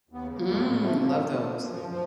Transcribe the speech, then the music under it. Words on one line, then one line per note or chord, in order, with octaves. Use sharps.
Mm, love those.
D#2 B3
C#3
D#2 A#3
A#3
A2 A3
A2 G#3
F3 A3
F3 A#3
A2 A3
A2
F3
F3
F#2 F3
F3